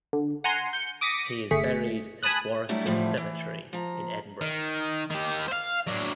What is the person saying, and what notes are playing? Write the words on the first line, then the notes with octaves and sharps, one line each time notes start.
He is buried at Warriston Cemetery in Edinburgh.
D3
F#5 G#5 A#5 C6
G6 C#7
D6 D#6 A#6 B6 C#7 D#7
G1 A3 G#4 B6 C#7
G#5 A5 B5 D#6 F#6
F#3 G3 A3 D4 E4
A2 D3 E3 F3 G3
E3
F3 A#5
D#3
D#3 G4
C5 F5
F#3 D4